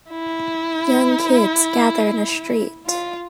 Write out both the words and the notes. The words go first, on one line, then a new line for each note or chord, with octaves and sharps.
Young kids gather in a street.
E4
F4